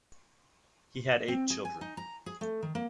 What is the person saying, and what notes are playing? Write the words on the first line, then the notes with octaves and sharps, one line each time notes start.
He had eight children.
C4
G#4
G#5
D#4
A#5
G#4
A3
D#3
A#3